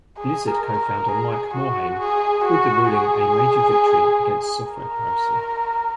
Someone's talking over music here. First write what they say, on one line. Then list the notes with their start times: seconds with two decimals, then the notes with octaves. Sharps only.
Blizzard co-founder Mike Morhaime called the ruling a major victory against software piracy.
0.17 G#4
0.48 A#4
0.78 A#4
1.08 G#4
1.53 F#4
1.99 G#4
2.44 F#4
2.90 G#4
4.72 A#4